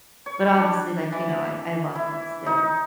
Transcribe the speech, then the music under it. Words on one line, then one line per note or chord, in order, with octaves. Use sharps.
But, obviously, like, you know, I I love him still.
C#5
D4
E3
E4
D#4